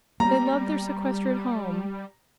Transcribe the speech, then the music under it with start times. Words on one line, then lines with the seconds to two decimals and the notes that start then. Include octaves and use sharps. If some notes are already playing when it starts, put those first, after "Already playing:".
They loved their sequestered home.
0.20 G3 A#3 B3 A#5